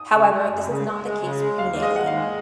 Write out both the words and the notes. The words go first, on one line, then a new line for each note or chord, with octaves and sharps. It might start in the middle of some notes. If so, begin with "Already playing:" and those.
However, this is not the case prenatally.
Already playing: D#6
C#3 C#6
G#3
F#2
C#3
G#3
G#3
C#3
G#3
D#2 F5
G#3 F5
D#5
D#2 F#5
F5
G#3